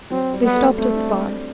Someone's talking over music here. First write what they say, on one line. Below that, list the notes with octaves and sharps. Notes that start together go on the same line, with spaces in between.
They stopped at the bar.
F#3 C4
G3
B3
A3
A3 C4
D4